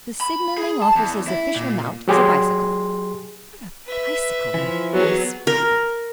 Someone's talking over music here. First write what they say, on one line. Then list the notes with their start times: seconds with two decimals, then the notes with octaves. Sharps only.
The Signalling Officer's official mount is a bicycle, but a bicycle in this weather--!
0.21 B5
0.57 G#4
0.82 A5
0.95 E2
1.28 E4
1.56 A#2
2.08 F#3 G4 G#4 C6
3.86 B4 E5
4.54 E3 F3
4.92 F#3 B3 G#4
5.47 A#4